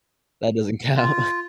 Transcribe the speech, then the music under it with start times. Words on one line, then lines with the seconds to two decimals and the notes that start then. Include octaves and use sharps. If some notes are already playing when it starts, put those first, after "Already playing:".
that doesn't count.
0.97 F4